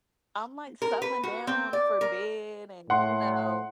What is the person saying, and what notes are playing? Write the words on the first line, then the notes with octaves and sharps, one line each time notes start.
I'm like, settling down for bed and, you know
A#4
B4
F#4
C4
D5
A#4
A2 F#5 C6